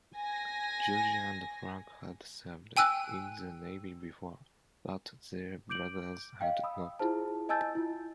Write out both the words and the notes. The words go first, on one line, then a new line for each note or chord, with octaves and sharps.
George and Frank had served in the Navy before, but their brothers had not.
G#5 A#6
G5 G#5 E6 F#6
D6 G6 D7 F#7
D#5 F5 G5
B5 D#6 E6
E4 F4 G#4 C5 A5
D#5 G#5 A5 E6 G6 A6
E4 F4